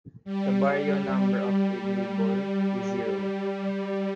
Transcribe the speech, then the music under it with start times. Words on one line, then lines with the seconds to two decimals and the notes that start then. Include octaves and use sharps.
The baryon number of a glueball is zero.
0.24 G3
1.51 G3